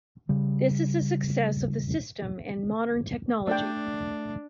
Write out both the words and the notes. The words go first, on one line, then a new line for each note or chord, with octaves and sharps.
This is a success of the system and modern technology.
C#3 G3
A3 D4 D5 G5